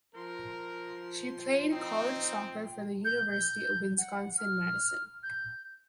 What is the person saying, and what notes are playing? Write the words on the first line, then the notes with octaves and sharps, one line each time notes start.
She played college soccer for the University of Wisconsin–Madison.
F3 A#4 C6
C4 D#4 G5
G6
G6
F#5
F6
G6